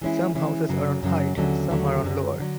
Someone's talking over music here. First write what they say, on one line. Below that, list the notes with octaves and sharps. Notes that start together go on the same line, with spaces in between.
Some houses are on height and some are on lower.
E3 G#3 C#4 E4
E3 G#3 C#4 E4
F#2 C#3 F#3
F#2 C#3 F#3
D#2 D3 F#3 A3 C#4
D#2 D3 F#3 A3 C#4
F#2 D3 F#3
D3 F#3